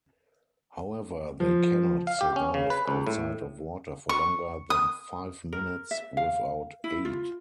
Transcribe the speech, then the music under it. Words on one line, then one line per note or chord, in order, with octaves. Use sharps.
However they cannot survive outside of water for longer than five minutes without aid.
F3
F5
G4
C#4
C#3
B4
C#2
A2
C#6
D#6
A#4
E5
F5
E4
F4